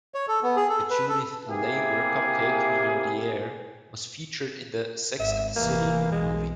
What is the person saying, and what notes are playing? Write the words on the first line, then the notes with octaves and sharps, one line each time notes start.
A Judith Leiber cupcake minaudiere was featured in the "Sex and the City" movie.
C#5
A4
B3
G#4
A4
B4
A4
C3 A#3 E4 G4 G#4
G#1 E5
F1 E3 A#3
B1 G#3